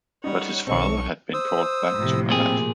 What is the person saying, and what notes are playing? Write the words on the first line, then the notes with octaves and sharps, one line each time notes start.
But his father had been called back to Malat.
G3 C#4 D#4 C#5 F#5
B1 D#3 C4 C#4 A4 C#5 D#5 C#6
C5 D#6 E6
A2 C3 F3
A#2 C4 G#4